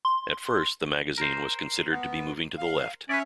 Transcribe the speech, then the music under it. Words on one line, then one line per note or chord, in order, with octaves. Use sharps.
At first, the magazine was considered to be moving to the Left.
C6
A#4 C5
B3
F5
C#4 B4 C#5 D5 E5